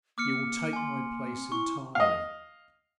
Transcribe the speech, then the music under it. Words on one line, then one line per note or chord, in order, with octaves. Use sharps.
You will take my place entirely.
A#3 D6 F6 C#7
G#5 C6
C4
E4 C#6
D#5 F5